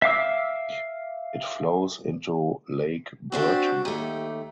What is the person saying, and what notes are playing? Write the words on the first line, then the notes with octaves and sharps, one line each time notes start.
It flows into Lake Burton.
E5 F5 D6 E6
C4 D4 F#4 G4
D#2 A3 G4